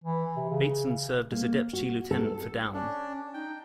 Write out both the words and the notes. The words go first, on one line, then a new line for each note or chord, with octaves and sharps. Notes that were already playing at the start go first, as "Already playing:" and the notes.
Bateson served as a Deputy Lieutenant for Down.
E3
C3
C#3
A#3
F#4
A4
C#4 D4
D#4 G5